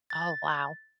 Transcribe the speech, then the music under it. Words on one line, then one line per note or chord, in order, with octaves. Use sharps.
Oh, wow.
A6